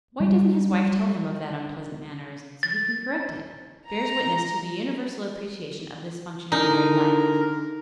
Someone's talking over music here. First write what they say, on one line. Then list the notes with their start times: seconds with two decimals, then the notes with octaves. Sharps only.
"Why doesn't his wife tell him of that unpleasant mannerism, so he can correct it?" bears witness to the universal appreciation of this function of married life.
0.20 G3
2.63 A6
3.91 A#5
6.52 D3 D#4 E4 A#4 G#5